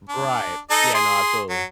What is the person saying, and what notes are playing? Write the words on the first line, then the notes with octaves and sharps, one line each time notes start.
Right, yeah, no, absolutely.
D4
D#4 A4 D#5
G#4 C6
F#3